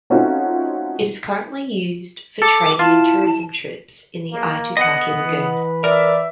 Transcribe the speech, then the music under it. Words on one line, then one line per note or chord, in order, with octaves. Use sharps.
It is currently used for training and tourism trips in the Aitutaki lagoon.
A3 C4 C#4 D#4 F4 F#4
A4 D6
E4 F4 A5
A#3
B3 D#5 F#5
E3 B4
A#4 D5 E5